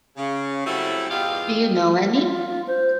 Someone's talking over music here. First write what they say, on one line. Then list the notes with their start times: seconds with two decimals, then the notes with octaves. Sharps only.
Do you know any?
0.17 C#3
0.65 F#3 G3 A3 C4 E4
1.10 E2 G2 F4 G4 D#5 F5
2.21 F4
2.67 C5